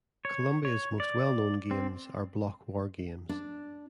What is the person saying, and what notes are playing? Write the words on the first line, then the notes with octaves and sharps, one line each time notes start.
Columbia's most well-known games are block wargames.
C#5
C#5
D5
C4
D4